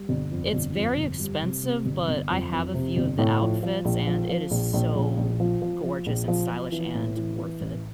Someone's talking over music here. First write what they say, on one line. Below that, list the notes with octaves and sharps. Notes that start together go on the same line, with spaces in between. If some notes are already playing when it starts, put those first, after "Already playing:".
it's very expensive, but I have a few of the outfits, and it is so gorgeous and stylish and worth it.
Already playing: G3
G1
F2
G1
F2
G1
G3
C3
C3
G1
G1
F2
F2
C3
G1
A2
F3
F3
A#1
F3
F3
A#1
A#1
A#1
A#1
F3
F3
F3
A#1
F3
F3
E3
A2
E3
E3
A1